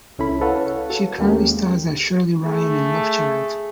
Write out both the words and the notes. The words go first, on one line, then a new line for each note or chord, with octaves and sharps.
She currently stars as Shirley Ryan in Love Child.
C2 C#4 E4 A4 B5
A4 B4 C#5 F5 F#5
F#4 A4
D#2 G#3 A#3 C#4 G4
A3 G#4